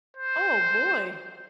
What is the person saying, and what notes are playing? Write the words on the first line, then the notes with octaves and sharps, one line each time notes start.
Oh, boy.
C5